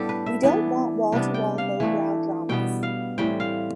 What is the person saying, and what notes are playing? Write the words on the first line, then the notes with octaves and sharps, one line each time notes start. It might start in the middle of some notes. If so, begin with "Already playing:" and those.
We don't want wall-to-wall lowbrow dramas!
Already playing: A2 G3 B3 D4 G4 A4
B4
E5
E3 B3 D4
C3 G3 B3 D4
G5
F5
E3 A3 D4
B2 G3 B3 G5
F5
A2 E3 G3 C4 G5
F5